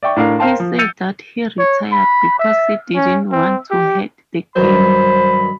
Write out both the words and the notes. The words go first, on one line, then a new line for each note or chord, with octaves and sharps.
He said that he retired because he didn't want to hurt the game.
D5 E5 G5 C#6
A2 D4 A#4 F5
A#4 C5 F5 G5 A5 C6
F3
E6 G6 A6 C#7 D#7 F7
C#5
B5
E5
C#4
C4
G4
G2 D#3 F#3 C5 B5